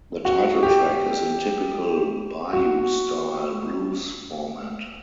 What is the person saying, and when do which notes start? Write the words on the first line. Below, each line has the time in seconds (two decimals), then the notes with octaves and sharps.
The title track is in typical Bayou-style blues format.
0.25 F#4
0.63 G4
2.53 F#4